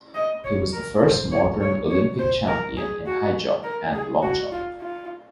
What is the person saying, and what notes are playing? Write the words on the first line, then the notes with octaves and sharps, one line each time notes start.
He was the first modern Olympic champion in high jump and long jump.
D#5
C#5
A#4
C5
C#5
C#5
C#5
C5
A#4
G#4
F#4
A#4
G#4
F#4
F4
F4